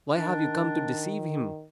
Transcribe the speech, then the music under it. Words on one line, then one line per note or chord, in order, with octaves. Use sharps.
Why have you come to deceive him?
D#3 D4